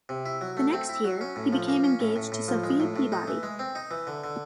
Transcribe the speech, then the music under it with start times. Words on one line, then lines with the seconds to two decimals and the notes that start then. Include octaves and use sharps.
The next year, he became engaged to Sophia Peabody.
0.09 C3
0.26 E4
0.41 F#3
0.57 A3
0.73 C4
0.89 E4
1.04 F#3
1.21 C#4
1.36 A2
1.53 F3
1.69 A#3
1.84 C#4
2.00 A2
2.16 A2
2.32 A2
2.48 F3
2.64 G#3
2.80 A2
2.96 A2
3.12 D#4
3.28 E3
3.43 G#3
3.59 C4
3.75 D#4
3.91 E3
4.07 D3
4.24 D3